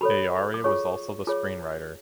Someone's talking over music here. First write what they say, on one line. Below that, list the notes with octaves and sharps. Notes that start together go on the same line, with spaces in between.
Ayari was also the screenwriter.
F#4 A4 C#5 B5
D6
F4 G#4 C#5 C#6
F4 G#4 C#5 D6